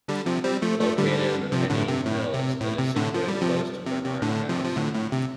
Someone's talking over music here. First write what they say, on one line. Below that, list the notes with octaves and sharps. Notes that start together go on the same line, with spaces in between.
Located in the Pennine hills, it is situated close to Barnard Castle.
D3 G3
C3 F3
G3 C4
F3 A3
F3 A3
D3 G3
C3 F3
A2 D3
C3
A2
C3
A2
C3
A2 D3
F3
G3
C3 F3
C3
C3
A2 D3
C3 F3
F3
A2 D3
A2
C3